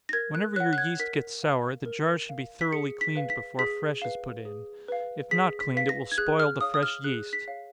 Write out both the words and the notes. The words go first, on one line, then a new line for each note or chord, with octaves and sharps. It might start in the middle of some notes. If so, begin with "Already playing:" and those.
Whenever your yeast gets sour, the jar should be thoroughly cleaned before fresh is put in--if not cleaned, it will spoil the fresh yeast.
A#6
A#4 G#6
F#6
C#5 F#5 F#6
F#6
G#6
A#4 B6
F5
A#4
F5
B6
G#4 C#7
B6
B4 F5
B6
G#4 B6
B4 F5
G#4
B4 F5
G#4 B6
B6
B4 F5 B6
A#6
G#6
G#4 F#6
F6
C#5 F5 D#6
D#6
F6
G#4 F#6
B6
C#5 F5